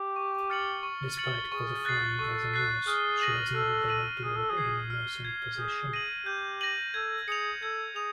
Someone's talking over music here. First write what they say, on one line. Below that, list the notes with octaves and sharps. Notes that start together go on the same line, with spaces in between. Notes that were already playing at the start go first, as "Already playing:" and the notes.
Despite qualifying as a nurse, she has never been employed in a nursing position.
Already playing: G4
C#6
F6 A6 C#7 F#7
C#6
F6 A6 C#7 F#7
G#4 C#6
F#6 A6 C7
A4 C#6
F#6 A6 C7
G#4 F6
A#6 D#7 F#7
A4 F6
A#6 D#7 F#7
G#4 F6
A4
G#4
G#6 C7
F6
G#6 C7
G#4 G6
A#6 D#7 F#7
G4 G6
A#6 D#7 F#7
A4 G#6
G#4 C#7 F7
A4 G#6
G#4 F7